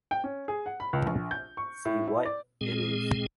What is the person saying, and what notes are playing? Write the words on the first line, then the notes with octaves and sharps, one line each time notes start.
See what it is.
G5
C#4
G#4
F#5
B5
C#2
A#1
G6
C#6
A2
E4
D5
A#2 G#3 C4 G#4